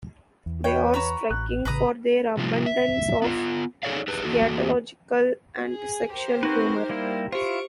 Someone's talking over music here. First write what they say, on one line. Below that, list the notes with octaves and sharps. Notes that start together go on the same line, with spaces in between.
They are striking for their abundance of scatological and sexual humor.
E2
B4 C#5 G5
F#4 A#5 B5
A1 F#6
A1 C#3 B4 A#5 D#6
C3 F3 G3
E5
B3 F4
D#4 G#4 A4 C#5 D5 F5
G4 G#4 B4
E2 A#3 F#4 A4
G#4
G4 A#4 C5
C4 D#4 F#4 B4
G3 A#3 E4
E4 F4 G4 C5 C#6 D7